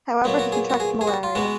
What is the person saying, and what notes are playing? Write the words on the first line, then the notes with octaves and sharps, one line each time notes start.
However, he contracted malaria.
A#2 F#3 B3 D#4
F#4
G#4
F#4
G#4
G#4
F#4
F4
B2 G#3 B3 F#4